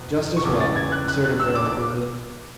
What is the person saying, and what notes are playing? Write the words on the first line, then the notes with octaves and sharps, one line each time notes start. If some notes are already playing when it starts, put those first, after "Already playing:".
"Just as well," asserted Beryl, quickly.
Already playing: F#1 E2 B2
C#6
E2 C#3 E3 A3 D6
A6
G#6
F#6
F#6
F#6
E6
D6
D6